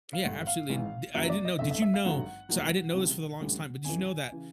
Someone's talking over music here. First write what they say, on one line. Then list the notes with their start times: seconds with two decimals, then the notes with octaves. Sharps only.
Yeah, absolutely, and the I didn't know, did you know 'cause I didn't know this for the longest time, but did you know that,
0.13 F5
0.23 G#1 G2 D3 F#5
0.47 F5
0.69 G#1 G#2 E3
1.14 F#1 F#2 C#3 F#3 E5
1.30 D5
1.45 D#5
1.59 G1 F2 D3 E5
1.71 E5
1.82 E5
1.94 F5
2.05 G#1 G2 D3 F#3 F#5
2.49 F1 D#2 D#3 F#3
2.94 C#2 C3 E3 G3
3.40 D2 C#3 E3 G3
3.84 F2 C#3 E3 G#5
4.32 C#3 E3